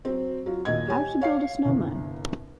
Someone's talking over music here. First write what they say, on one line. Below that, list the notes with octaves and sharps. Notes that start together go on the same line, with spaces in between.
How to build a snowman.
F#3 C4
F#3 F4
D#2 A#2 D#5 G#6
G4 C#5 G#5
C#5 F5 C7
G1 C2